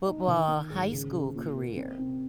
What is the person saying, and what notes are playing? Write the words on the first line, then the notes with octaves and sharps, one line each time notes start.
football high school career?
D#4
D#3
D#3
G#2
C#3
C#3
A#2
A#3
C4
C3